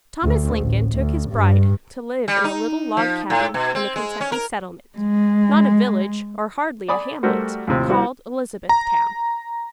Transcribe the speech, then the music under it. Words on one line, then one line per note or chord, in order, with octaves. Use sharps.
Thomas Lincoln took his bride to live in a little log cabin in a Kentucky settlement--not a village or hardly a hamlet--called Elizabethtown.
D2
A1
D2
G2
G3
D#4
F3
A2
B2
C4
G#3
C#4
A#4
G#3
D5 G#5 B5 D#6
G3 A3 F#4 A#4 C5
D#2 A2 C3 F3
G3 C4 E4 F#4
A#5